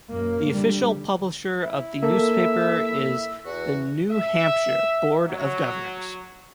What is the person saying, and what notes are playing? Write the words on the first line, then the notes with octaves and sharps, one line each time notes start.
The official publisher of the newspaper is "The New Hampshire" Board of Governors.
F#2 A#3
D3 G3
E4
A#3 A4 E5
E2 F#4
E5
F#3